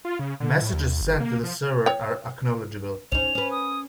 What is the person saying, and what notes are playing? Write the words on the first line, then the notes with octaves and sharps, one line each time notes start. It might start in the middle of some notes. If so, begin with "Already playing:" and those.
Messages sent to the server are acknowledgeable.
F4
C#3
D3
A2
D#2
G1
A#3
F3
C#5 G5
C#4 D#4 F7
C#4 B4
D#6